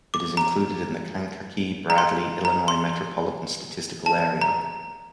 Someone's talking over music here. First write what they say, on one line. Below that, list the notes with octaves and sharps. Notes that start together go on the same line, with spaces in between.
It is included in the Kankakee-Bradley, Illinois Metropolitan Statistical Area.
D6
A#5
A#5
C6
A#5
C6
A5
A#5